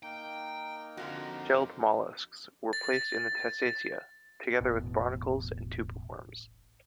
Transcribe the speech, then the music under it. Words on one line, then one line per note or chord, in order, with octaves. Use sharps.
Shelled molluscs were placed in the Testacea, together with barnacles and tube worms.
A#3 D#4 G5
F2 D3 F4 F#4
A6
E1 A1 B2